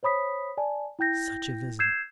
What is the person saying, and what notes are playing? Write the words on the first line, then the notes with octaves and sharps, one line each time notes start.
Such a visitor!
C5 C#5 B5 D#6 B6
D5 G#5 A5
E4 G5 G6 A#6
E6 G6 G#6 C7 E7